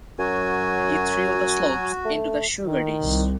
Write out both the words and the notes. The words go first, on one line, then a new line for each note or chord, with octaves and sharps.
He threw the slops into the sugar-dish.
F#2 F#3 F#4 G#5
A3
D#3
C2